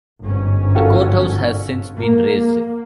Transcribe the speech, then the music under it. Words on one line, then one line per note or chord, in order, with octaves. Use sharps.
The courthouse has since been razed.
G1 G#2 C#4
F4 F#4 A4
A#3